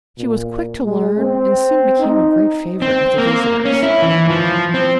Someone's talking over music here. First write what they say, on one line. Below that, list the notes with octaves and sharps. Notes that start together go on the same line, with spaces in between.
She was quick to learn and soon became a great favorite with the visitors.
A#2
G#3
C4
D#4
C4
A#3
C#4
E4
E3
F3
C4